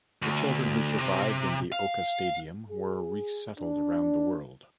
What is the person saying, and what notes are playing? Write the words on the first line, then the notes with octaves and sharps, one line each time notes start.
The children who survived in the oca stadium were resettled around the world.
D2
C3
F5
G#4
D4